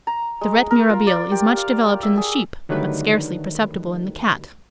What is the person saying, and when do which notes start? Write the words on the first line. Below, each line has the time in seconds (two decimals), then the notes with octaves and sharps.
The rete mirabile is much developed in the sheep, but scarcely perceptible in the Cat.
0.07 A#5
0.41 G#3
0.71 A#4
0.90 F4
1.07 D5
1.31 G4
1.57 F5
2.03 E5
2.17 G#4
2.69 D3 D#3 F#3 G3 A3 B4